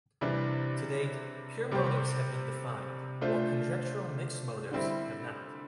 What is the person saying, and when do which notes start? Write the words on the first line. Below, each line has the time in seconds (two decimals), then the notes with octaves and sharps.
To date, pure motives have been defined, while conjectural mixed motives have not.
0.21 C3 E3 G3 D4
1.71 C3 G3 C4 G4 C5
3.21 A3 D4 F4 C5
4.71 D3 G3 C4 E4